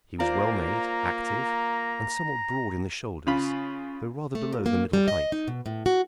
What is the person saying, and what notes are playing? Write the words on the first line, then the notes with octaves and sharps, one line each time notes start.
He was well made, active, and somewhat broad in the shoulders, though rather below the middle height.
A#3 F4 C5 D5 A#5
C#3 F4 B5
A3
A#2
A#3
G3
D#5
D#4
B2
A2
F#4